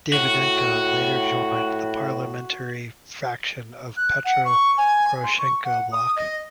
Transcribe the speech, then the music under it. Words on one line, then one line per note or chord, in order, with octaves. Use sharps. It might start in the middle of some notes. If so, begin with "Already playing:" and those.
Davydenko later joined the parliamentary faction of Petro Poroshenko Bloc.
A2 F#4
F#6
F#5
C#6
G#5
C6
C#6
F#5
D#6
D#5